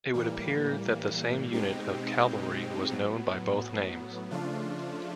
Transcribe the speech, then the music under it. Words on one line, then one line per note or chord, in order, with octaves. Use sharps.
It would appear that the same unit of cavalry was known by both names.
A2 E3 G3 A#3
B2 G#3 C4 D#4 G4
A2 F#3 B3
C#3 F3 A3 D4 F4